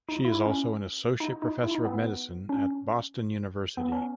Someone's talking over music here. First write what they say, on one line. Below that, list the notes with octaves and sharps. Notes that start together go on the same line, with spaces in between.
She is also an Associate Professor of Medicine at Boston University.
D#4
E4
E4
C#4
D#4
D#4
E4
D#4
B3
C#4
B3
C#4